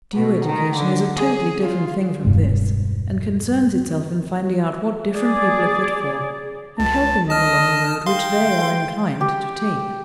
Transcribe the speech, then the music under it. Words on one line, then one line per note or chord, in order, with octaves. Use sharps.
Due education is a totally different thing from this, and concerns itself in finding out what different people are fit for, and helping them along the road which they are inclined to take.
B2
D#3
D3
G#4
F4
E1 G2 G#3
G#4 D5
C#2 A5
D#5 A5 F6
F5 G5 C6
G4